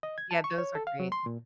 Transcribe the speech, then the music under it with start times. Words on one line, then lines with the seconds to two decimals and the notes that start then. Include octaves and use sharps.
Yeah. Those are great.
0.03 D#5
0.18 G#6
0.31 A5
0.44 C#6
0.58 C#5
0.75 A4
0.87 F5
1.00 F#3
1.12 C6
1.26 A#2